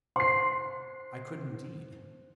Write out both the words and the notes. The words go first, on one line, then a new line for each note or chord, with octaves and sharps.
I could, indeed.
C5 C6 C7